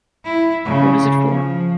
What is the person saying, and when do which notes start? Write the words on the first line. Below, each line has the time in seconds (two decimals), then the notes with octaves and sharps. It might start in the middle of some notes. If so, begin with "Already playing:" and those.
What is it for?
0.25 E4
0.65 C#3
1.26 F3